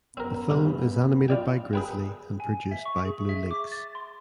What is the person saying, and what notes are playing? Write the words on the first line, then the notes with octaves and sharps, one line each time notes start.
The film is animated by Grizzly and produced by Blue Lynx.
F#2 B3 C4 A#4
G2 C3
F4 D5 G5
G#4 B4 G5
G#5
E5
C#6
G#4
E5
D6
A6
C6